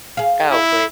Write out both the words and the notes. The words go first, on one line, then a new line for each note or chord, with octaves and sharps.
Oh, please.
G#4 F5
E4